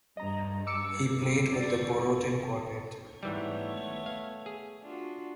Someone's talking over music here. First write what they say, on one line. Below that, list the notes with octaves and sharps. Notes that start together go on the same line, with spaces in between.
He played with the Borodin Quartet.
G2 D#5 A#5
D6 E6 C#7
D5
D3
G#2 E3 G3 A3 B3 C#5
F5
G#4
D4 F4 F#4